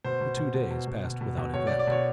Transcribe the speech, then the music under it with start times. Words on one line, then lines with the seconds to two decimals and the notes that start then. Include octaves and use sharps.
The two days passed without event.
0.04 B2 C5
0.21 B2
0.37 B2
0.54 B2
0.70 B2
0.87 B2
1.04 B2
1.21 B2
1.37 B2
1.54 B2 C#5
1.67 D5
1.71 B2
1.79 D5
1.87 B2 C#5